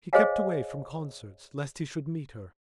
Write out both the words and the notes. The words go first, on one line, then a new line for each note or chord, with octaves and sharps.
He kept away from concerts lest he should meet her.
G#4 C5 C#5 D#5 F5 G#5